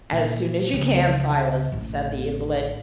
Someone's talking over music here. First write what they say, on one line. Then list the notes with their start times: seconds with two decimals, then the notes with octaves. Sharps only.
"As soon as you can, Silas," said the invalid.
0.12 A#2
0.73 C#2
1.72 A1